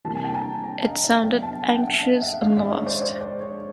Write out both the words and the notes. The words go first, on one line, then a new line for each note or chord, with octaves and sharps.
It sounded anxious and lost.
C3 E3 G3 A#3 A5
G#5
G5 A5
G#5 A#5
G#5 A#5
D#5 F5
D5 E5
D3 F#3 B3 D4 F5 G5
G5 A5
F#5 G#5
G5
E5 F#5
D#5 F5
E5 F#5
G#2 D#3 G#3 C#4 D#5 F5
D5 E5
C#5 D#5
C5 D5
C5 D5
C5 D5
C#5